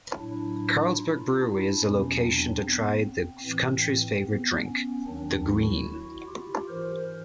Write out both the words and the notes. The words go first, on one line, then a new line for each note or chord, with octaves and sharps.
Carlsberg Brewery is a location to try the country's favorite drink, the Green.
A2 F#3 D4 E4
D#4 F4
D4 E4
E2 B2 F#3 C#4 D#4
C4 D4
B3
C4
A2 E3 C4
C4
B3
B3 C#4
D#2 D#3 F#3 C4 D4
E4 F#4
E4 F#4
F4 G4
G#2 E3 A#4 C5